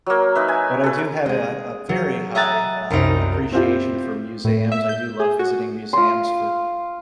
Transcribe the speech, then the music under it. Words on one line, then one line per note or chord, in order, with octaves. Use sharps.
but I do have a a very high, uh, appreciation for museums, I do love visiting museums for
F#3 A#3
D#4 B4 E5
G#5
A4 B4
G#3 G#4
F#3
D#5 E5 G#5 A#5 F#6 A6
C2 F#2 C4 D#4 A#6
C4 E4 F4 G4
A2
E5
G6
G#4
F#4
F4 C6